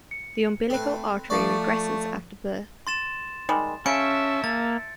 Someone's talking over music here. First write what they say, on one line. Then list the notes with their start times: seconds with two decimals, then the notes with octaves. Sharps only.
The umbilical artery regresses after birth.
0.11 C#7
0.70 A3 C4 A4 B4
1.30 F3 A3 D5 C#6
2.87 C6 A6 E7
3.49 D#3 G3 G#3
3.86 C#3 C#4 E5 A5 G6 C#7 D7
4.44 A#3 A6